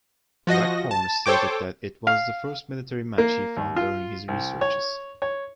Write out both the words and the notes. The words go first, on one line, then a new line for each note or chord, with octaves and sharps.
Waghorn stated that it was the first military match he found during his researches.
F3 F#4 D#5 A#6
A5
A4 C5 C#5 G5 D6
F5
A#3
D#2
F4
C2
C#5
C#5